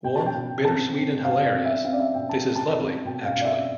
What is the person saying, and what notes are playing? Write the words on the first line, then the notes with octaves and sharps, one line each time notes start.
Warm, bittersweet and hilarious, this is lovely, actually.
B2 G5
A5
G5
B2
C4 A5
C4
B2 F5
D5
C4
E5
C4 F5
D5
E5
B2 G5
A5
C4
A5
C4
B2 G5
F5
B2
D5
E5